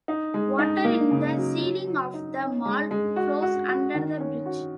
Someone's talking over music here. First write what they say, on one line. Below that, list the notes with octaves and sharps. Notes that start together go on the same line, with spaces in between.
Water in the ceiling of the mall flows under the bridge.
D#4
G#3
D#4
A#3
C#3
F#3
F#3
F#3
D#4
C#4
G#3
G#3
F#4
F#4
F#4
D#3
C#4
F#4